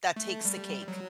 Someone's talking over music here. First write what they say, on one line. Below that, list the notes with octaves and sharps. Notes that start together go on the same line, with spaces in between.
that takes the cake,
A3
G3
F#3